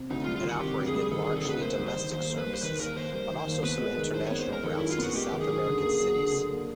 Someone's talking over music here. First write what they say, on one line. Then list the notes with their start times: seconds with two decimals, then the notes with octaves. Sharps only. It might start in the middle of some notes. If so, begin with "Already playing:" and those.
It operated largely domestic services, but also some international routes to South American cities.
Already playing: C3
0.10 D2 D#4
0.24 F4
0.28 G3
0.36 F4
0.45 D#3 F#4
0.61 C3 G4
0.79 D2
0.87 G#4
0.95 G3
1.11 D#3 A4
1.24 G#4
1.29 C3
1.37 A4
1.45 D2 B4
1.62 A#3 C5
1.79 G3
1.87 C5
1.96 D#3
2.12 D#2 C5
2.30 A#3
2.38 B4
2.46 G3
2.54 C5
2.63 D#3 B4
2.79 D#2 A#4
2.96 A#3 C5
3.13 G3 C5
3.31 D#3
3.38 C5
3.47 D#2
3.64 B3 B4
3.80 G#3
3.97 D#3
4.14 F#2 C5
4.27 B3 C#5
4.39 C5
4.47 G#3 A#4
4.64 D#3 A4
4.77 E4
4.82 F#2
4.90 F4
4.98 B3 F#4
5.15 G#3 G4
5.32 D#3
5.41 G#4
5.49 F#2
5.66 D3
5.83 A#3
6.00 F#3
6.16 D3
6.33 D3
6.50 A#3